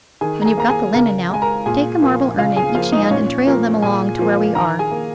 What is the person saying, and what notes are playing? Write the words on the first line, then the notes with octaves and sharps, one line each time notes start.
When you've got the linen out, take a marble urn in each hand and trail them along to where we are.
D#3 G#4 G#5
A#5
G#4 G#5
A#3 A#5
G#4 G#5
C#3 A#4 A#5
G#3 G#5
A#4 A#5
A#2 G#4 G#5
F3 A#3
C#3 F4 F5
G#4 G#5
F3 A#3 F4 F5
D#4 D#5
A#2 C#4 C#5
F3 A#3 A#4
A#2 G#4 G#5
F3 A#3
D#3 A#4 A#5
G#4 G#5
A#3